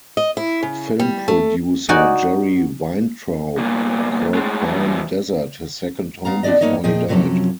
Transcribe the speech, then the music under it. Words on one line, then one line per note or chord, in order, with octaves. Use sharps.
Film producer Jerry Weintraub called Palm Desert his second home before he died.
D#5
E4
C#3
G3
A3
D#4 F#4 D5 G#5
C2 A#2
A2 G#3
E3 G3
B3 F5 A#5
B3 D4 G4 D5 D#5
G2 A3 A#3 D#4 C#5 D#5
A#2 F3 G#4 D#5 G5
F#2 C3 F3 F#3 C#4 A4